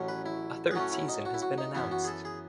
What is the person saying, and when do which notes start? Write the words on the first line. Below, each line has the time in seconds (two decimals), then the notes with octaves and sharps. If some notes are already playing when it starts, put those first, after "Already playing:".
A third season has been announced.
Already playing: A1 A2 F#3 C#4
0.08 B4
0.26 E4
0.71 G#4
0.75 A2 F#3 A3 C#4 F#4
0.92 E4
1.08 D#4
1.25 F#4
1.34 E4
1.42 F#4
1.58 D#4
1.74 F#2 E3 B3 E4
1.91 F#4
2.04 G#4
2.08 A4
2.25 G#4